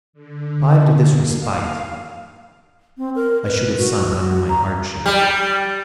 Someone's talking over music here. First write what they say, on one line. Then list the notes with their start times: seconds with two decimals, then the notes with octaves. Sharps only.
Deprived of this respite, I should have sunk under my hardships.
0.13 D3
0.94 A#3
1.33 F5
2.98 C4
3.15 A#4
3.45 B4
3.78 F#4
4.19 F#4
4.49 A#5
5.06 G3